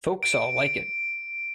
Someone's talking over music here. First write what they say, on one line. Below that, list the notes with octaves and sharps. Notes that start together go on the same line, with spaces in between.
Folks all like it.
D7